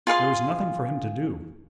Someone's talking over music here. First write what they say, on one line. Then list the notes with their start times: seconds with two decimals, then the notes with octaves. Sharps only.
There was nothing for him to do.
0.07 F4 G#4 F5 C6